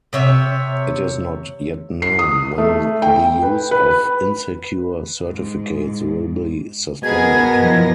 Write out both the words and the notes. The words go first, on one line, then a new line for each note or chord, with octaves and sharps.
It is not yet known when the use of insecure certificates will be suspended.
C3 C#5 E5
C7
D#6
A3
G5
B4
B4
G#2
B2 B3 G#4 A#4 G#6 A#6
F#2 E3 F3